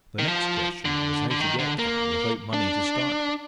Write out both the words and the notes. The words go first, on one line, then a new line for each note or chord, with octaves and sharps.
The next question was how to get there without money to start with?
D#3
F3
D3
D3
D#3
D3
A#3
D4